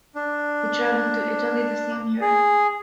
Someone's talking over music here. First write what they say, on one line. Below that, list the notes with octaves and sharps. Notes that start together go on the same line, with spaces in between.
He traveled to Italy the same year.
D4
G#4